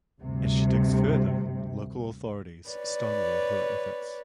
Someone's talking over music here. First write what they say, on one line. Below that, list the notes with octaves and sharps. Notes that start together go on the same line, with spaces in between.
As she digs further, local authorities stonewall her efforts.
D2 G2 C3
B4 C#5 D5